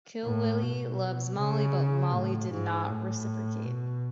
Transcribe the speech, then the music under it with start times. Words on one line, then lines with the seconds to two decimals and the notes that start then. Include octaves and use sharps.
Kilwillie loves Molly, but Molly did not reciprocate.
0.25 A2
0.62 B2
1.38 C#3
2.13 A2
2.51 G#2
2.89 A2
3.65 B2